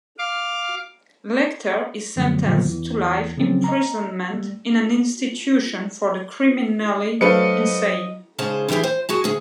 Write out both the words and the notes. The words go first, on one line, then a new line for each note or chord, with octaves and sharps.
Lecter is sentenced to life imprisonment in an institution for the criminally insane.
F5 D6
F#2 D3 F3 F#3 A3
A#2 D3 D#3 F3 F#3
E2 E3
C#3 F3 F#3 C4 C#4
D#5 A#5
G3 A3
F#3 A3 D4 B4 C5 D#5 F5 C#7
G#2 C#3 G#4 C5 A5
D3 E3 E4 G4 G#4
C5
F#4 G#4 A5
D2 G#4